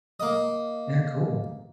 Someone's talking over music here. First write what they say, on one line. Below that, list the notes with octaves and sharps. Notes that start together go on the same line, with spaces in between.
Yeah, cool.
A#3 D#5